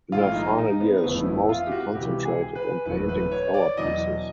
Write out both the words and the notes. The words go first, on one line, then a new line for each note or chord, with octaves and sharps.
In her final years she mostly concentrated on painting flower pieces.
B1 A2 E3 G#3 F4
D#4
D#4
B3
G1 F2 C#3 E3 A3 B3
E4
F4
G4
F#4
C#2 C3 E3 G4
G#4
B4
F#1 E2 B2 F#3 A3 B4
B4
C#5
D5
E2 B2 F#3 D#5